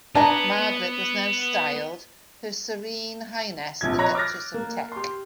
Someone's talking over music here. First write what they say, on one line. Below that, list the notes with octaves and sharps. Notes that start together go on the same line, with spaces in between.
Margaret was now styled, "Her Serene Highness The Duchess of Teck".
B3 D4 B4 G#5 A#5
A#1 C3 F3 G#6
C#5 D#5 A#5 B5 F#6 A#6
D6 F6 A6 A#6
A#3
G4 C6